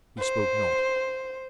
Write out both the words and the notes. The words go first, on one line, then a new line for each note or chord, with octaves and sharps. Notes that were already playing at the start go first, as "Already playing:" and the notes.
We spoke not.
C5